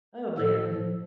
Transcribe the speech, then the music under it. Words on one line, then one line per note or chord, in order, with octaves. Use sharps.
Oh, man.
A2 F3 A4